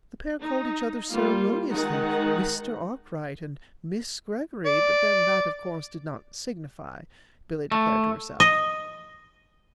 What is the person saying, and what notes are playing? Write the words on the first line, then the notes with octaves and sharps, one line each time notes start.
The pair called each other, ceremoniously, "Mr. Arkwright," and "Miss Greggory"--but then, that, of course, did not "signify," Billy declared to herself.
D#4
G3 A#3 F4
D#3 G#3 D#4 F#5
D5
A3
D#5